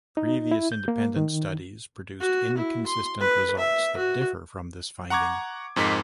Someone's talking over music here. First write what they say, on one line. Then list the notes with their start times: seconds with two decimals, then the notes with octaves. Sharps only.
Previous independent studies produced inconsistent results that differ from this finding.
0.17 D#4
0.51 E4
0.72 G6
0.88 A#3
1.16 D#3
2.20 F#4
2.57 E4
2.86 C6
3.20 B4
3.59 E5
3.97 F#4
5.10 F#5 A#5 C#6 D6 G#6
5.76 F2 G#2 D#4 A#4 D6 B6